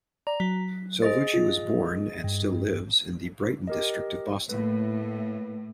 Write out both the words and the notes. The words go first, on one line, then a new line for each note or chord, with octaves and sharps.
Salvucci was born, and still lives, in the Brighton district of Boston.
D5 A#5
F#3 B6
G#4 C5 D#5 A6
F4
G2
G4 A#4 D#5
A2 A#3 B4